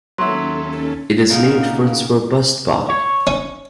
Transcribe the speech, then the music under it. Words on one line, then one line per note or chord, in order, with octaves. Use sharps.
It is named for its robust body.
D#2 F#3 C#4 E4 A4 C6
A#2 C#3 A#3 B3 D#4 A#4
C#5
C#4